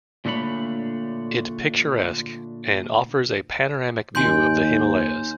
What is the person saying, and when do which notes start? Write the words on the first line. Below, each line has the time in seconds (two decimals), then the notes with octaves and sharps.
It picturesque and offers a panoramic view of the Himalayas.
0.25 A#2 D3 A3 D4 C#5 B5
4.15 D#2 G#5 C6 G6